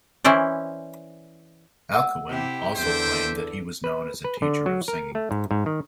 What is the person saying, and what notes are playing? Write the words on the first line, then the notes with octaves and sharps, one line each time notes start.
Alcuin also claimed that he was known as a teacher of singing.
E3 C#4 E4 C5 D5
F#5 E6
C3 E4 G4
E2 D3 C5 E5 G5
B4
B4
D3
F#3
A#4
A3
G#2
G#2
D#3